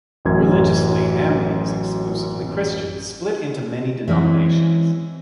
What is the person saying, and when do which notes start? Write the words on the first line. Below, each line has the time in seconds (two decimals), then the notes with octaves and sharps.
Religiously Ambae is exclusively Christian, split into many denominations.
0.25 A1 F#2 G#6
4.08 E3 G#3 C4 C#4